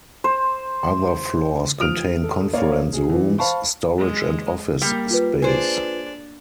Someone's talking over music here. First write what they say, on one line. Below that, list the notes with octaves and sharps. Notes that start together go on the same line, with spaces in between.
Other floors contain conference rooms, storage and office space.
C5
F3 D#6 F6 D7 F7
A4
A#3 C#5 D5 F5
G#4
E3
C5 F5 A5 B5 C#6
G#3
G3 A#3
F4 B4
D4 G#4 C5 D5